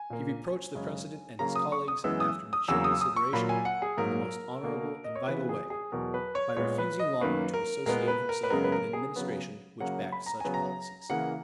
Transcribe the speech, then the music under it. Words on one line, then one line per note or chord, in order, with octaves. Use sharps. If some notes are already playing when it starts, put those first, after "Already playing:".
He reproached the President and his colleagues after mature consideration, in the most honorable and vital way,-by refusing longer to associate himself with an Administration which backed such policies.
Already playing: G#5
A#2 A#3
F#2 C#3 G#3
C#3 F#3 A#3 A#5
D#6
C#6
D#6
F#2 E3 G#3 B3 E6
D#6
D#6
E2 C#3 F#3 A#3 E6
D#6
D#6
C#6
A#2 F#3 A#3 B5
G#5
F#5
G#4
G#2 F#3 A#3 A#4
B2 A#3
D#5
C#5
C#3 E3 B3 B4
G#4
G#4
E2 B2 F#3 A#4
B4
C#5
A#2 G#3 B3 C#5
B4
D#5
F#2 D#3 A#3 B4
A#4
A#2 G#3 B3 A#4
B4
A#4
B4
F#2 C#3 G#3 B3 A#4
B4
A#4
G#4
C#3 F#3 B3
C#3 F#3 A#3 F#5
B5
A#5
C#3 F#3 B3 G#5
A#5
C#3 E3 A#3 F#5